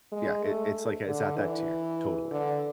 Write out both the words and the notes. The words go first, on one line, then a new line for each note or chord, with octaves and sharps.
yeah, it it's like it's at that tier, totally,
G#3
A3
D3
E3
D3